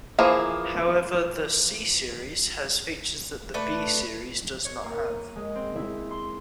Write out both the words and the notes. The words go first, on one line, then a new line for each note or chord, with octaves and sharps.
However, the "C"-series has features that the "B"-series does not have.
E3 F3 A#3 G#4
A3 D4 B4
C#5
A#3
D#7
G#3
C4
E4
C6